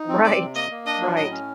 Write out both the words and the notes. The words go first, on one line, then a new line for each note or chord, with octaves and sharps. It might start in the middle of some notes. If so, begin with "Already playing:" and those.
Right. Right.
Already playing: D#4
C4
C3 D5
C3
A#3 D#5
A#3
D4 D#5
F#3
A2 D#5
C#4